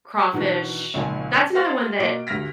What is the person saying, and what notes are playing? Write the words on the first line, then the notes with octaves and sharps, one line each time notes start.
crawfish that's another one that
B2 D#3 E3 D4
G#1 C#2 A#2 D#3 F3 G#5
C5 F5 F#5 C6 F6 A6
B2 A#3 F4 D#5 D6 D7
D2 G2 F6 A#6 B6